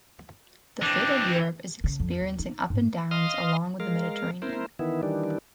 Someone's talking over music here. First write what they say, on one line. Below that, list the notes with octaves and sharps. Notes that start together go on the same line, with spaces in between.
The fate of Europe is experiencing ups and downs along with the Mediterranean.
E3 C4 D4
C#3
F2
D#2
D#4
G#2
D#5 F5 C6 D#6 F6
G#3 A#4 F5
E4 A#4 C5
D#3 E3 B3 E4
D#3 E3 G3 D4